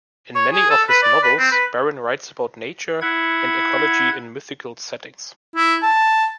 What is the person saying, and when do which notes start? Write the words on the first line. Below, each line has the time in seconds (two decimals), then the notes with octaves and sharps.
In many of his novels, Barron writes about nature and ecology in mythical settings.
0.35 C#5
0.53 G#4
0.70 A4
0.89 B4
1.03 D5
1.23 B4
1.38 C4
1.52 B4
3.01 E4 F#5 G#6
5.56 E4
5.83 A5